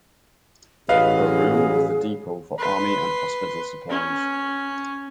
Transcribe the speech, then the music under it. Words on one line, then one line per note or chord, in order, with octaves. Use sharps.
Her room was the depot for army and hospital supplies.
A1 F#3 G#4 B4 D#5 F5
B4 C6
C#4